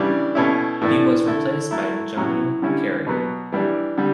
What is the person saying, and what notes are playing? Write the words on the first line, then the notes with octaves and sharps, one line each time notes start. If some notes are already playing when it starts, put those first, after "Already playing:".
He was replaced by Johnny Carey.
Already playing: C#3 E3 G3 D4
B2 A3 C#4 E4
A2 E3 A3 D4
D3 A3 E4
F#3 A3 E4
A2 F#3 C#4 E4
D3 G3 C#4 E4
B2 F#3 B3
E3 G3 D4
D3 G3